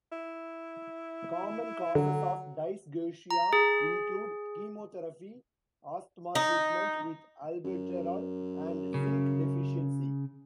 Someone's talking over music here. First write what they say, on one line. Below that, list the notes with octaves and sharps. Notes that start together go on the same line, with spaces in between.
Common causes of dysgeusia include chemotherapy, asthma treatment with albuterol, and zinc deficiency.
E4
D3 F#3
A#5
G#4
D#4
F#2
C#3